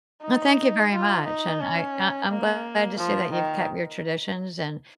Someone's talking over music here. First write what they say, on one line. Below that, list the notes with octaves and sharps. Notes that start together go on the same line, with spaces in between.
Well, thank you very much and I I I'm glad to see that you've kept your traditions and
D#4
F4
D#4
C#4
A#3
F3
D#3